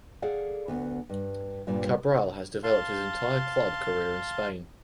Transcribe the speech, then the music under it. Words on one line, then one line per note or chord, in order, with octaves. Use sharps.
Cabral has developed his entire club career in Spain.
G#4 A4 D5 F5 F#5
D2 B3
G2
G2 A#2 G3
F5 A5 C6